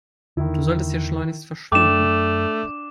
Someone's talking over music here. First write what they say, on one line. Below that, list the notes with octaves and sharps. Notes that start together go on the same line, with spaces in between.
Du solltest hier schleunigst verschwinden.
E2 D3 D#3 E4
F#2 A3 D4 G5 D6 E7